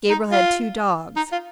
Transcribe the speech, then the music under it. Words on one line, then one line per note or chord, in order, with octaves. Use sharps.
Gabriel had two dogs.
D#4
F4
D#4
F4